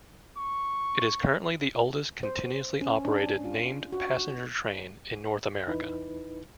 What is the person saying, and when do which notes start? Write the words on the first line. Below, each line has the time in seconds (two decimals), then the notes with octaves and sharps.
It is currently the oldest continuously operated named passenger train in North America.
0.37 C#6
2.23 C5
2.81 C#4
3.05 D4
3.44 F4
3.92 F#4
5.67 E2 D#4 E4 B4